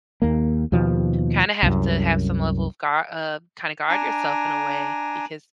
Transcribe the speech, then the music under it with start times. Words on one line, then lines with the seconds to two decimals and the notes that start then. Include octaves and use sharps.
kinda have to have some level of guar uh, kinda guard yourself in a way because,
0.22 D#2 A#3
0.72 D#2 B2 F3
1.63 C2 F#2
3.89 D4 G#5 A#5